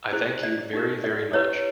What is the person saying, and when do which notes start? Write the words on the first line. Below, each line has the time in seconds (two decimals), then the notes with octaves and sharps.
I thank you, very, very much.
0.12 E4 G#4 C5
0.43 D5
0.73 D#4 G4 A#4
1.04 D5
1.33 E4 G4 B4 C#5